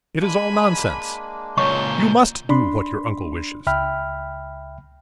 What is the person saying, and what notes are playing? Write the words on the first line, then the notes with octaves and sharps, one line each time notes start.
It is all nonsense.' 'You must do what your uncle wishes.
G#3 A#3 D4 G#5 B5
C#2 A#2 C#5 D#5 C#6 G6
D4 B5 C6
C#2 E5 G5 B5 F6